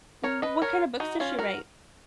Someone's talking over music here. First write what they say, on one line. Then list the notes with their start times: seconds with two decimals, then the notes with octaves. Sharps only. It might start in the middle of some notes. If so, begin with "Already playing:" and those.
Wh what kind of books does she write?
0.24 A#4 C#5
0.42 B4 D#5
0.62 A#4 C#5
1.00 D#4 F#4
1.20 C#4 F4
1.39 F#4 A#4